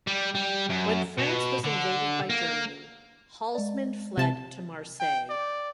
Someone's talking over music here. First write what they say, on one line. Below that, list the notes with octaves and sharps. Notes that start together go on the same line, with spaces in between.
When France was invaded by Germany, Halsman fled to Marseille.
G3
G3
F#2
B2
D3
A#3
G#3 D5
C3 A5
G5
D5